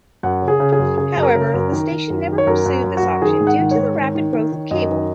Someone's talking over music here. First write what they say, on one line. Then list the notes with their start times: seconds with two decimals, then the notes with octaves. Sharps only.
However, the station never pursued this option due to the rapid growth of cable.
0.23 F#2 F#5
0.42 C#3
0.48 G#4
0.60 C#3
0.72 G#4
0.79 F#2
0.97 C#3 G#4
1.16 F#2
1.23 A#4
1.35 C#3
1.47 A#4
1.54 F#2
1.72 D#3
1.91 D#3
2.10 F#2
2.28 D#3
2.38 C#5
2.47 F#2 A#4
2.66 F#2
2.84 F#2
2.97 F#4
3.03 F#2
3.22 D#3 G#4
3.40 G#2
3.47 F#5
3.59 D#3
3.71 C#5
3.77 G#2
3.96 D#3
4.15 D#3
4.33 D#3
4.52 D#3
4.71 F#2 D#5
4.90 D#3